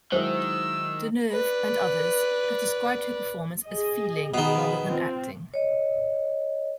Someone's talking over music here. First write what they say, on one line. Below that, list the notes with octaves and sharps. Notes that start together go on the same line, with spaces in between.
Deneuve and others have described her performance as feeling rather than acting.
D#3 F#3 G#3 E4 A#4 C5 E6
B4 D5
G#4 D#5
B2 D#3 G#4 B5
C4 F4
C#5 D#5